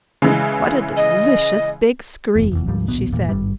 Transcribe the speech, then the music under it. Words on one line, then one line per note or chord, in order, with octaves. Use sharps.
"What a delicious big screen," she said.
C#3 E3 G#3
D#5
F#1 E2
F1 E2
D2 G#2 F3 G3
D1 A#1 B2 B3
G#1 E2 A#2
G#1 G2 G3